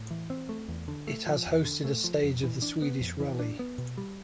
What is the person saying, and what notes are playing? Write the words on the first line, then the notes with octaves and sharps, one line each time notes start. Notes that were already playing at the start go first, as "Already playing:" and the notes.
It has hosted a stage of the Swedish rally.
Already playing: A2
E3
C4
A3
E2
D3
A3
F3
E2
D3
A3
F3
F2
E3
D4
B3
F2
E3
D4
B3
B2
G3